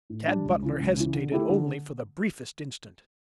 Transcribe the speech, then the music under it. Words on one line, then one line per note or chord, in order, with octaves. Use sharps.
Tad Butler hesitated only for the briefest instant.
A2
G3 D4
C#2
C#3 E3
C#2
C#3 E3
D3
A3 E4 G4
D3